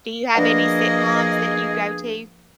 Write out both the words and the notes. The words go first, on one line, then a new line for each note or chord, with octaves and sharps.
Do you have any sitcoms that you go to?
F3 A#3 D4 G#4 B4 D#5 F#5